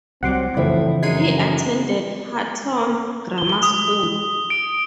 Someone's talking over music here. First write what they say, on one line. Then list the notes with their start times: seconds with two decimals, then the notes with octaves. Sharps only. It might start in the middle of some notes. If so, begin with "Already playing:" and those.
He attended Hutton Grammar School.
0.23 C2 F#3 G3 C4 F#5 C6 D6
0.57 F#2 A2 C#3 E3 F3 C4 D4 E4
1.03 F#2 G#3 D#4 G#6 C7 D#7
3.38 G7
3.63 D#6
4.50 D7